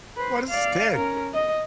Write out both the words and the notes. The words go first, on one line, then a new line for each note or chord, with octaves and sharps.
what a stick.
B4 C5
D5 F5
C#4 A#4
D#5